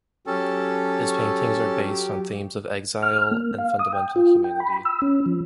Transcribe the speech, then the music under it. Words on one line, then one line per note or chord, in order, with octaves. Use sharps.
His paintings are based on themes of exile and fundamental humanity.
F#3 C#4 G4 A4
F6
A#3
F5
D#6
G5
F4
G5
B5
E6
C#4
F3